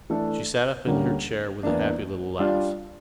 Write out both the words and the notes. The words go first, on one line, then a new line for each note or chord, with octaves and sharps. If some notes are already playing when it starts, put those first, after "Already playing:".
She sat up in her chair with a happy little laugh.
E3 A3 D4 A4
D2 D3 G3 A#3 C#4
E2 E3 A#3 D4
G3 D4 F4